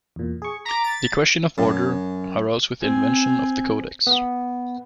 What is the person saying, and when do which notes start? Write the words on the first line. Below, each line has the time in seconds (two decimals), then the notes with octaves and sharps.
The question of order arose with the invention of the codex.
0.16 E2 A#2
0.42 G#4 C#6
0.65 A#5 D6 B6
0.84 A6
1.58 F#2
2.81 C4 G#5
4.07 B3